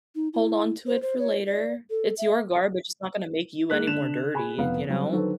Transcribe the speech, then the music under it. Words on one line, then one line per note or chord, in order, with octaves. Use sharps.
Hold on to it for later, it's your garbage, it's not gonna make you any more dirty, you know?
D#4
E4
C5
C5
C#5
D5
A4
E5
G#3 A#3 F#6 B6
D3 D4 E7 F7
G#4 G#5 B5
F1 B3 F5
F#3 G3 C4
D3 D#3 F#3 A4 B4 C5